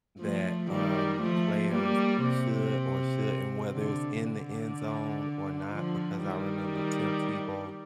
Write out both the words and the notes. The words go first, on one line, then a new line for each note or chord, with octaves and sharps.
that, um, players should or shouldn't, whether it's in the end zone or not, because I remember Tim Tebow
F3 A3
D#3 G3
F3 A3
G3 A#3
C3
D3
D3
D3 F3
D#3 G3